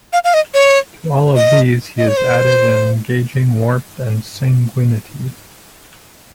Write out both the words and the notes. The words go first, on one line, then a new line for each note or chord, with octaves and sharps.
To all of these, he has added an engaging warmth and sanguinity.
F5
F5
D#5
C#5
D#5
D#5
C#5
C5